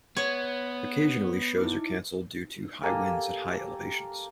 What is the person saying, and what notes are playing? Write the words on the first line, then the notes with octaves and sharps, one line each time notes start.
Occasionally shows are canceled due to high winds at high elevations.
B3 C#5 C6 G#6
D#4 E4 D6
A#3 G4 A4 G#5